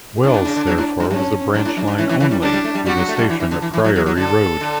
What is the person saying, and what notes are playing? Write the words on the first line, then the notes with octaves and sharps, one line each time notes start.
Wells therefore was a branch line only, with the station at Priory Road.
A2 D4
B2
C#3
D3
F#3
A2
G2
F#2 C#4
G2 D4
A2
F#2
G2
E3 C#4
E3
E3
G3
G3 D4
G3
A3
G3
G3 F#4
F#3
A3
G3
E3
E3
D3
E3
E3
F#3
F#3
F#3
D3 A4
D3